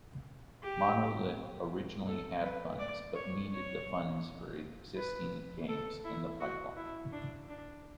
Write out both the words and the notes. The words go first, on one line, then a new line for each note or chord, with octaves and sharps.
Monolith originally had funds, but needed the funds for existing games in the pipeline.
G4
A4
B4
D5
C#5
C#5
B4
A4
E4
F#4
E4
D4
D4